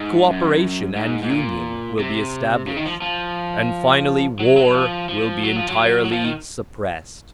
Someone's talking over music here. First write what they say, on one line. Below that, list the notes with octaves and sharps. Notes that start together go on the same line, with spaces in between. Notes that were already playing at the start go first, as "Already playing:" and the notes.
Cooperation and union will be established, and finally war will be entirely suppressed.
Already playing: G#2
F#2
G#2
G#2
A#2
C3
C#3
D#3
F3
F3
F#3
F#3
F3
F3
F#3
F3
F#3
F#3
F3
D#3